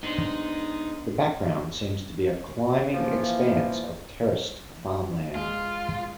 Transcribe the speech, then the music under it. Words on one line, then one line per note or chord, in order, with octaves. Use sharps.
The background seems to be a climbing expanse of terraced farmland.
G#3 B3 D4 D#4 C5
E3 F3 A#3
G#3 F4